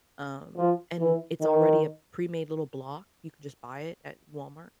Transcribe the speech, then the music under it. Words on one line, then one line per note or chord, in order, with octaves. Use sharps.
um, and it's already a premade little block. You can just buy it at Walmart.
F3
E3
D#3